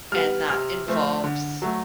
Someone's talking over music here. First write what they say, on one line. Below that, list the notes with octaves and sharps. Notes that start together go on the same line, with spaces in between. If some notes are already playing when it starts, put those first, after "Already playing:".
and that involves
G3 B3 F6
C3 F6
F3 A3 C4
D3
F#3 A3